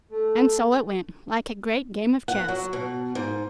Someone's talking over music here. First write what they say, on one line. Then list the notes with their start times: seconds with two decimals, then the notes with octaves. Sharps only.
And so it went-like a great game of chess.
0.11 A3
2.28 F#5
2.48 F#3
2.73 B2
3.15 G#2